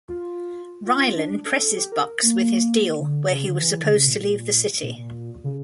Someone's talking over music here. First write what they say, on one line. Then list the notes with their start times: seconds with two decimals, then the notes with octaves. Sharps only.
Raylan presses Bucks with his deal where he was supposed to leave the city.
0.09 F4
0.85 F4
1.16 D4
1.46 A4
1.77 G4
1.92 A#4
2.23 A#3
2.99 D3
3.30 C#3
3.45 D3
3.60 E3
3.84 D3
3.91 C#3
4.07 A#2
4.21 A#2
4.83 A#2
4.98 A#2
5.44 C#3